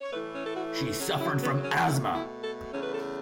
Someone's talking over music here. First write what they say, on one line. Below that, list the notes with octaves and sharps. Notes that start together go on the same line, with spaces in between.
She suffered from asthma.
C#5
A2 E3 A3 B4
C#4
A4
F#4
E4
F#2 C#3 F#3 C#4
E4
B3
C#4
B2 A3 E4
E4
A4
E2 C#3 A3 C#4
B4
A4